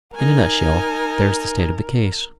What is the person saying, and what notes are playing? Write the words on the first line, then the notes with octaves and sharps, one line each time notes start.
In a nut-shell, there's the state of the case.'
D#4 A#4 G#5